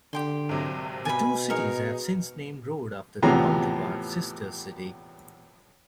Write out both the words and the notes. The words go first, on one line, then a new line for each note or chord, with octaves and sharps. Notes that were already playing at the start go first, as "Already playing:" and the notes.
The two cities have since named roads after their counterpart sister city.
D3 G4 G5 C6
G#1 C3 F#3
B2 G#5 B5
D#4 G#4 A#4 C#5
E2 A2 C3 F3 B3 A#5